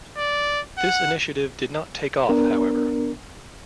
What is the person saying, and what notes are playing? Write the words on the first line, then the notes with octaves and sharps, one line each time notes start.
This initiative did not take off however.
D5
F#5
B3 D4 A#4